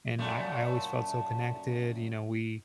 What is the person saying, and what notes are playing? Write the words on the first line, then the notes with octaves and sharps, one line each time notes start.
And I I always felt so connected you know, we
F#2 A#2 A3